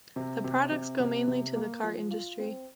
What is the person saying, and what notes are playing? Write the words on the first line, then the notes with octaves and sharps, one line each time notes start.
The products go mainly to the car industry.
C3
C3
C3
C3
C3
A#3
F3
F4
C4